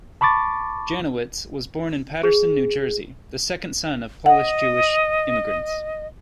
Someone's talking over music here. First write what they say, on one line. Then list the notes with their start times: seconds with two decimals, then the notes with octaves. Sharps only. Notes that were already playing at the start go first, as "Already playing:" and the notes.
Janowitz was born in Paterson, New Jersey, the second son of Polish-Jewish immigrants.
0.21 A5 B5 C#6 D6 A6
2.23 G#4
4.26 D#5 F#5